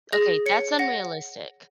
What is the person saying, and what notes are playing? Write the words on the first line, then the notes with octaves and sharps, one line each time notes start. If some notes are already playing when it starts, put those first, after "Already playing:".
Okay. That's unrealistic.
G#4 A#6
C#5 C#7
F#5 A#6